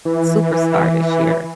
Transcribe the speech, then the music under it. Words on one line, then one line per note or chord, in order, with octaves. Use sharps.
superstar this year.
E3